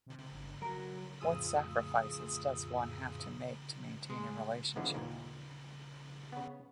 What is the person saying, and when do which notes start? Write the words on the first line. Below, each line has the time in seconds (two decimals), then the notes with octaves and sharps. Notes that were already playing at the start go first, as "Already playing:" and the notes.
What sacrifices does one have to make to maintain a relationship?
0.07 C3
0.32 G1
0.62 F#3 A#4
1.20 F2 A2 F4 G#4 D#6 E6
4.10 G#3
4.76 D3 E3 F3 G#3 B3
4.94 D#2 A#2
6.32 C#3 B3